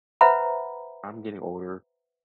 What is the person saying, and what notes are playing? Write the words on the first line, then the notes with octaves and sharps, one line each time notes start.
I'm getting older,
B4 C5 E5 F#5 A#5 B5